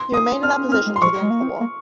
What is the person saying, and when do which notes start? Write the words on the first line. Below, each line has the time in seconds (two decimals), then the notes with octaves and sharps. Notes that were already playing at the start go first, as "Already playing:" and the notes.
He remained in that position until the end of the war.
Already playing: C6
0.14 D#6
0.43 C4 F6
0.57 C#4
0.68 C#4
0.72 C4 F6
0.86 G#3
0.96 C6
1.02 F3 C#6
1.21 G#3
1.30 A#3
1.41 C4
1.60 A#3